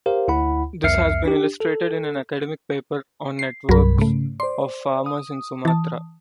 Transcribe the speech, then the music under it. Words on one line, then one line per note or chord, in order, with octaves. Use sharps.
This has been illustrated in an academic paper on networks of farmers in Sumatra.
G4 A#4 C5 F5
D2 E4 F#5 B5
C2 F2 E5 F6 C7 C#7
D4 G4
A4
C7
C2 G2 F#3 A#4 B5
G#2 C#3 A3
C5 D5 C6
D#6
E3 A5